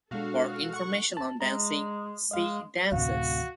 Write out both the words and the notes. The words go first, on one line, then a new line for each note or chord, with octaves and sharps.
For information on dancing, see "Dances".
B2 G#3 D4 F#4 A4 F5
F#5 C#6
A5
G#3 A#5
G#3 D#5 F5
D2 A2 C3 E3 A3 F#4 F5